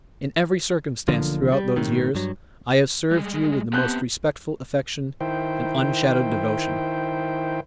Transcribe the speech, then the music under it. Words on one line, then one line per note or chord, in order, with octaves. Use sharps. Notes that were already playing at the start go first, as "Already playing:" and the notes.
In every circumstance throughout those years I have served you with the most respectful affection and unshadowed devotion.
B1 D3 F3 A#3
G3
A2 C3 D#3
G2 F#3
G3 G#3
B3 C4 G4 A5 F#6 G6
D#3 E4 C5 G5